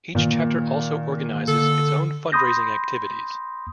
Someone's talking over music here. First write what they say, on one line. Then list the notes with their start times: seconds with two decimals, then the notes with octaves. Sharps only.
Each chapter also organizes its own fundraising activities.
0.15 A#2 D#3
1.48 D3 A4
2.32 B5 C6 D#6 G6 A#6